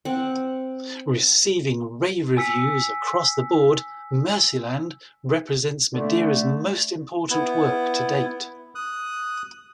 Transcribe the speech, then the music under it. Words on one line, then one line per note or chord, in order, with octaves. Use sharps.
Receiving rave reviews across the board, "Mercyland" represents Madeira's most important work to date.
C4 F#5
G#5 E6 B6 C#7
D3 A3
B3 E4
D#6 F#6